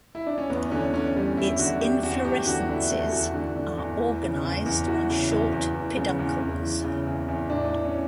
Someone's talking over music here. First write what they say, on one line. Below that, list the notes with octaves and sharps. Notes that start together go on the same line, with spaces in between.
Its Inflorescences are organized on short peduncles.
E4
D4
C#4
E2 B3
D3 C#4
D3 C#4
E2 G3
E2 E4
D3 F#4
D3 G4
E2 F#4
E2 G4
D3 F#4
D3 E4
E2 A3
E2 F#4
D3
D3
E2
E3
C#3
E2
E2
E3 F#4
C#3
E2
E2
E3
C#3
E2
E2
E3
C#3
E2
E2
A2 D4
E3
C#4